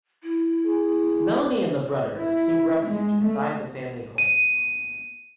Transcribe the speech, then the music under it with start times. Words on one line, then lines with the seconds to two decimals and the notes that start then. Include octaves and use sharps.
Melanie and the Brenners seek refuge inside the family home.
0.23 E4
0.65 G#4
2.16 E4
2.85 G#3
3.21 A3
4.18 D#7